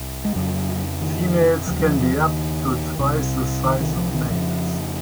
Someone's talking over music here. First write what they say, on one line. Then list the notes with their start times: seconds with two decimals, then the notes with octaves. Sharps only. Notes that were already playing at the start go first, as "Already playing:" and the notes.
Females can be up to twice the size of males.
Already playing: C2 C3
0.25 G#3
0.36 F2 C#3 F#3
1.02 D#3
1.66 D#2 C#3 F3
1.79 F#3
1.84 F3
2.01 F3
2.16 D#3
2.98 C2 C3
3.64 D#3
3.81 D#3
3.97 F3
4.14 D#3
4.30 F2 C#3 F3